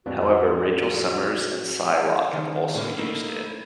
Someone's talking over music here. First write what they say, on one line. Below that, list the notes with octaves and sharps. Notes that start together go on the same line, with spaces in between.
However, Rachel Summers and Psylocke have also used it.
F2 A2 F3 G#3 B3 D4 F#4 G#4
D#3
A2 D3 A#3
A3 A#3 D#4 E4